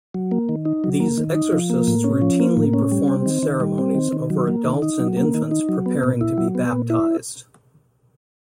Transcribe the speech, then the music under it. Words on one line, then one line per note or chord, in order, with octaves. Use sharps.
These exorcists routinely performed ceremonies over adults and infants preparing to be baptised.
F#3
A#3
D#3
D#4
F#3
A#3
D#3
D#4
F3
A#3
A2
C#4
F3
A#3
A2
C#4
G3
C4
D#3
D#3
G3
C4
D#3
D#3
F#3
A#3
D#3
D#4
F#3
A#3
D#3
D#4
F#3
B3
A#2
E4
F#3
B3
A#2
E4